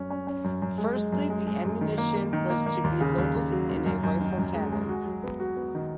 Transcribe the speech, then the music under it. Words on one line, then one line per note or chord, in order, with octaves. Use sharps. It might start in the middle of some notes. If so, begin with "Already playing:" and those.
Firstly, the ammunition was to be loaded in a rifled cannon.
Already playing: F#2 C#4
C#4
C#4
F#2
F#2
G#3
G#3
F#2
G#3
G#3
F#2
D#3
A#3
A#3
D#3
A#3
A#3
D#2
C#3
D#2
D#2
F#3
D#2
F#2
F#2
D#3
F#2
G#3
G#3
F#4
F#3
B3
F#4
B3
D#3